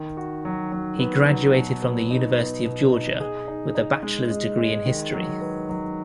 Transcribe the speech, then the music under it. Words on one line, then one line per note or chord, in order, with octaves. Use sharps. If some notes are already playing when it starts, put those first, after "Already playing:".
He graduated from the University of Georgia with a bachelor's degree in history.
Already playing: D#3
F#4
F#3
F#3
B3
F#3
B2
B3
D#4
B3
B2
D#4
G#4
D#4
D#4
G#3
G#3
G#3
D#3
F#3
B4
F#3